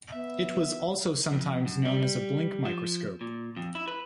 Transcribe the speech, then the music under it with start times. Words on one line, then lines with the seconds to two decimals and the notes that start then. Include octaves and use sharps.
It was also sometimes known as a blink microscope.
0.13 B3 E5
1.33 F2
1.66 F#2
1.85 G3
2.65 F3
3.21 A#2
3.57 F2
3.75 E4
3.88 B4